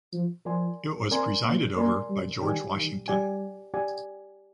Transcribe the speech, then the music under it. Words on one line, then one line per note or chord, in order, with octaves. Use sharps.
It was presided over by George Washington.
F3
F3 A#4 D5 G#5 C6
C4 A#4 D5 G#5 C6
A#3
A#3 A#4 D5 G#5 C6
G3
D#3 G4 D5 G#5
D#3
G3 G4 D5 G#5
G4 D5 G#5